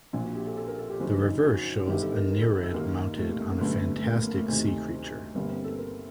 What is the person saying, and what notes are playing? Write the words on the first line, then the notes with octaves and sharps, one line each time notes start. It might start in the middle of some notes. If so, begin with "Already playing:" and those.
The reverse shows a Nereid mounted on a fantastic sea creature.
A#1 A#2 D4
F#4
G4
A4
A4
A#4
A4
G4
F#1 F#2 D#3 F#4
D#4
F#4
G1 G2 D#3 G4
A4
A#4
A#4
A4
A4
D#2 D#3 A#3
A3
A#3
A3
A#3
G1 F#2 D3 A3
A3
A#3
A#3
A#3
A3
D2 C3 D#3
G1 G2 D3 A#3
C4
A4
A#4